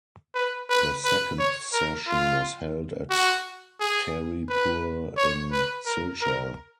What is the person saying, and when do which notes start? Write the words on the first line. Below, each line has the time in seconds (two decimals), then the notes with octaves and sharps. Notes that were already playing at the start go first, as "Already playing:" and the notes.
The second session was held at Tarepur in Silchar.
0.35 B4
0.69 B4
1.05 B4
1.39 C#5
1.73 A#4
2.07 F4
3.10 F#4
3.80 G#4
4.49 B4
5.17 C#5
5.52 B4
5.86 A#4
6.22 A#4